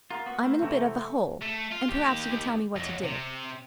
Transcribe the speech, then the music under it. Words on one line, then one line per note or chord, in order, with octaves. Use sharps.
I'm in a bit of a hole, and perhaps you can tell me what to do.
F4 A#4 F#5 E6
B3 F#4
A3 C4 B4
C3 E3 A3 C4 F#5 G5
A3
F4
D#2 G4
F2 F#3
C3